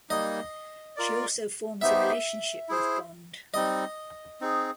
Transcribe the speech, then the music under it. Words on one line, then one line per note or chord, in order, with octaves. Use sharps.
She also forms a relationship with Bond.
G3 A#3 D#4 D#5
F4 A#4 D5
B3 D#4 G4 C5 E5
E4 G#4 C5
G3 C4 D#4 D#5
C4 D#4 G#4